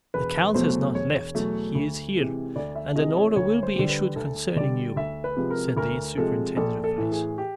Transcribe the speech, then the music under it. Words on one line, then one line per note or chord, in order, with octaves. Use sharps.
"The count has not left, he is here, and an order will be issued concerning you," said the superintendent of police.
E1 B4
E2 B2 F#3 A3 C5
E1 C#5
E2 B2 F#3 A3
D2
C3 E3 G#3
D2 D5
E5
C3 E3 G#3 D#5
C#5
D2 C#5
C5
D3 G3
B4
D2 A4
D3 G3 D5
D2 E5
B4
C3 F3 G#3
A#4
D2 A#4
C3 F3 G#3 A4
A#1 A4
A4
A2 E3
G#4
G4